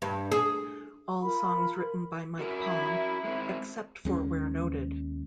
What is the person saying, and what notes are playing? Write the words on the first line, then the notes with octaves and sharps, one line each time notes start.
All songs written by Mike Palm, except for where noted.
G2
G#4
F4 A#4 B5
E4 F#4 A#4
G#3 C4
D#2 G#3 C#4